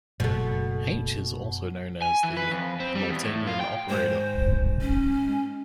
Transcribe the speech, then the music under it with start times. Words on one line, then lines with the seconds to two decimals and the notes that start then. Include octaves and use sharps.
"H" is also known as the Hamiltonian operator.
0.20 F#1 B2 A3
2.02 G#5
2.23 E3
2.37 B4
2.51 F2
2.80 C4
2.95 G3
3.10 E2
3.23 A2
3.47 F4
3.61 G5
3.90 G#2 D#3 G#3 C5
4.81 C#4